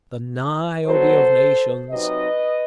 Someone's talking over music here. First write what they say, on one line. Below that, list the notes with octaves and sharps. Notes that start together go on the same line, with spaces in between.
The Niobe of nations!
B2 F#3 B3 A4 C5
C3 F#3 C4 D#4 B4 D#5